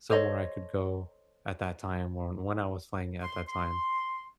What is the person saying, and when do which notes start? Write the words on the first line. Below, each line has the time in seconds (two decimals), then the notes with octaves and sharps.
somewhere I could go at that time, or when I was playing at that time.
0.10 A4 C5 C#5 D#5
3.22 C6
3.48 C6